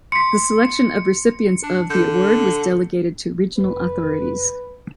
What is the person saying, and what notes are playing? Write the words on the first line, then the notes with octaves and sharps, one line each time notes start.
The selection of recipients of the award was delegated to regional authorities.
C6 B6 C#7
D4
D3 G6
F1 F2 B4